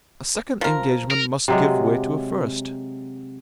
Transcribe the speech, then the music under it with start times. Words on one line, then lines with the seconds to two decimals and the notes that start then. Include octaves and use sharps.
A second engagement must give way to a first.
0.61 F3 A#4
1.11 A#4
1.48 C3 F#3 G#3